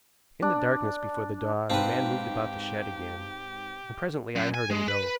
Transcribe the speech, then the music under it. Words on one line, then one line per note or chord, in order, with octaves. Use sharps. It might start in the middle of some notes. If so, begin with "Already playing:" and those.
In the darkness before the dawn the man moved about the shed again, and presently I heard him go.
D4
G#2 C4 G4 B4 F5 A5
F#2
G#5
G#3
B4